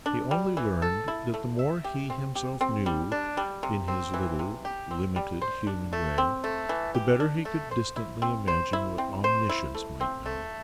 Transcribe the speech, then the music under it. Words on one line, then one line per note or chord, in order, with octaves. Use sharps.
He only learned that the more he himself knew, in his little limited human way, the better he could distantly imagine what Omniscience might know.
D4
G3
E3
A4
E4
A3
E5
G4
C4
G4
C4
G3
D4
G3
C3
C4
E3
C3
G4
C4
G3
C5
D4
A3
C4
A3
E3
G4
D4
A3
C5
E4
C4
C5
E4
C4
C5
E4
A3
C4
A3